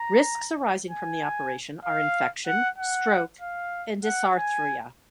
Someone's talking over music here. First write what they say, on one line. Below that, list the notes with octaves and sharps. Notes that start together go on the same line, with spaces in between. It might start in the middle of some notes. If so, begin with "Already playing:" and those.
Risks arising from the operation are infection, stroke and dysarthria.
Already playing: A#5
G#5
F5
F#5
F#5
F5
F#5
G#5